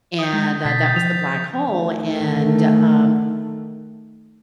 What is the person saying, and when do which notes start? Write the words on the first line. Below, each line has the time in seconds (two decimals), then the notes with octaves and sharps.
and, uh, that was the black hole, and, um,
0.19 D#6 G6
0.33 G#3 G6
0.65 B2 A6 B6 C7
0.84 D#6 G6
0.96 F3 F7
1.68 D#3 A3